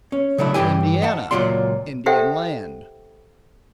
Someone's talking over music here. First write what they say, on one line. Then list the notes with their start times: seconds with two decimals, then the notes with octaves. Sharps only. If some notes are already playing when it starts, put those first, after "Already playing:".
Indiana--Indian land.
0.12 C#4
0.38 C#3 F#3 A3 D4 E4
0.54 G2 D#3 E3 G4 G#5
1.02 D#5 F#5 A5
1.31 C#2 A#2 F#3 F4 D5 C6
2.06 G4 A4 C5 E5 F#5 G5